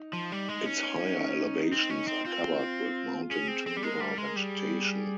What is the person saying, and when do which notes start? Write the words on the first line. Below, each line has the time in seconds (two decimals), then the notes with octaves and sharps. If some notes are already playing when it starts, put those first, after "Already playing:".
Its higher elevations are covered with mountain tundra vegetation.
Already playing: D#4
0.13 F3
0.32 G3
0.49 G#3
0.66 C#4
1.19 D#4
1.72 C4
1.90 C#4
2.07 C4
2.25 C4 F4
3.30 C#4 G#4
3.48 C4
3.66 C4
3.77 G3
3.83 G#3 A#4
4.01 G3
4.18 G#3
4.36 G3 G#4